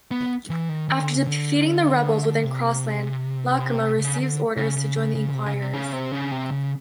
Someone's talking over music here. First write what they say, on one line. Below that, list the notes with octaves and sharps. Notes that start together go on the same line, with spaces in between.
After defeating the rebels within Cross Land, Lacryma receives orders to join the Inquirers.
B3
E3
D#3
D#3
D3
C#3
D3
C3
C#3
D3
C#3
C#3
C#3
C#3
C#3
C3
C#3
C3
C#3
C3
C#3
C3
C#3